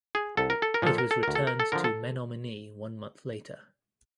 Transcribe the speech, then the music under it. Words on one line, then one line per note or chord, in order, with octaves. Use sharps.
It was returned to Menominee one month later.
G#4
C2 A4
A#4
A4
A#4
A#2 F3 A4
A#4
A4
D2 A#4
A4
A#4
A4
D3 F3 A#4
A4